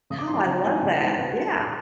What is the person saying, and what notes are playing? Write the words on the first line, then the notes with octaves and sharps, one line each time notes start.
Oh, I love that, yeah.
C#3 D#6
D6
E3 C6
G3 A#5
C#3 A#5
E3 G#3 B3 D#4 G#5
C#3 G5
F#5
E3 G#3 B3 D#4
C5
C#3 B4
F#4